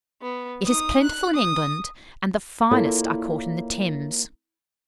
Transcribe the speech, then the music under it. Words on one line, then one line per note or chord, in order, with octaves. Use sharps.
It is plentiful in England, and the finest are caught in the Thames.
B3
D#4 D#6
F#6
D#6
A#3 E4 F4 A4 C#5 D5